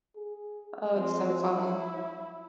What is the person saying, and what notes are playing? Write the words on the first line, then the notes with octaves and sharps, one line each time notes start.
Oh, it's so funny.
G#4
F3 G#3 C4
E4